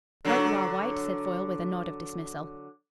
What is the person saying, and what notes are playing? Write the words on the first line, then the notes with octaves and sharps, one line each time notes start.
"Right you are, White," said Foyle with a nod of dismissal.
D3 F#3